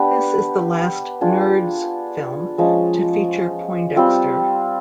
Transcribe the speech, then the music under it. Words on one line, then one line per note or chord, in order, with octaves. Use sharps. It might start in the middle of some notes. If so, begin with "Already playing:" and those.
This is the last "Nerds" film to feature Poindexter.
Already playing: B3 D4 G4 B4
D4 F4 G#4
F3 G#3 C#4
G3 C4 F4